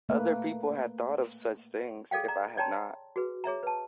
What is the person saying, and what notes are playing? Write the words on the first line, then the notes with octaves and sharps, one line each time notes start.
Other people had thought of such things, if I had not.
A3 A#3 B4
G#4 A4 D5 F5 G5
D5 A#5
C#5 D5 G5 A5 A#5 C6
F#4 G#4 B4
G#4 C#5 E5 A#5
B4 A5